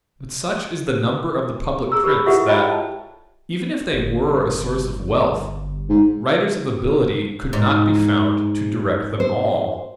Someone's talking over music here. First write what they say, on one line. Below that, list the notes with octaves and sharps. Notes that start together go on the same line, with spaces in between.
But such is the number of the public prints that, even if they were a source of wealth, writers of ability could not be found to direct them all.
G#4 A#5 E6
G4 A#4 B4 B5
E4 F4 G4 A4 E5 F#5
C#5 D#5 E5 G5 A#5 B5
A5
G1
G#2
G#2
C5